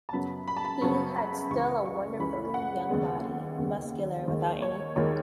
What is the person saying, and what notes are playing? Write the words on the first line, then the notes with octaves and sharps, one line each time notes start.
He had still a wonderfully young body: muscular, without any fat.
A5
F#2 C#3 F#3 B3 B5
B5
A5
B5
F#2 C#3 F#3 B3 C#6
B5
C#2 C#3 E3 C#6
C#6
C#2 C#3 E3 B5
F#5
D#2 C#3 G#3 B3
D#2 C#3 G#3 B3
D#2 D#3 G#3
C#5
D#2 D#3 G#3 C#5